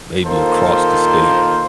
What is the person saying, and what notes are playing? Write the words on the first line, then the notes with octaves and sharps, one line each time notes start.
maybe across the state.
D#3 A#3 F4 A4 A#4 C5